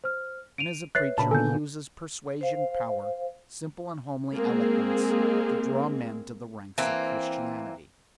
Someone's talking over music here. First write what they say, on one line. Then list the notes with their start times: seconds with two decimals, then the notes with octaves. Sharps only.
And as a preacher he uses persuasion, power, simple and homely eloquence, to draw men to the ranks of Christianity.
0.04 C5 F6
0.58 D7 D#7 F7
0.95 B4 C#5 E5 F#6 A6 C7
1.18 A#2 C#3 D4 A5 B5
1.31 D3 D#3 B3 A4 G#5 G6
2.41 C5 F5
4.34 G#3 A#3 C4 G#4
6.78 E3 A#3 C4